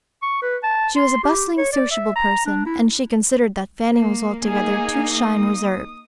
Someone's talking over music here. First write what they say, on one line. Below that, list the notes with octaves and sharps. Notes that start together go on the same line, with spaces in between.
She was a bustling, sociable person, and she considered that Fanny was altogether too shy and reserved.
C#6
B4
A5
C6
G4
C#5
D5
E5
A#5
D4
E4
A#3
A#3 D#4 G#4 G#5
D#6